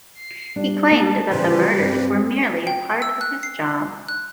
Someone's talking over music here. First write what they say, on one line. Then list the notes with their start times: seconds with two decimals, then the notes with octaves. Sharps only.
He claimed that the murders were merely a part of his job.
0.15 C7
0.56 G3 D4
0.91 A#3 D4 A5
1.31 C#3 E3 G3 G4 B4 C5
1.78 G2 C4
2.67 G5
3.02 E6
3.21 F#6
3.43 C7
4.08 F#6